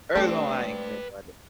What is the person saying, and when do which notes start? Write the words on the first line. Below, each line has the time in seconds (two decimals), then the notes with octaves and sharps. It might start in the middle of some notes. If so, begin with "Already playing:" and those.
early on, I ain't care about it.
0.15 G3 A3 C4 D4 G4 A4 B4 G5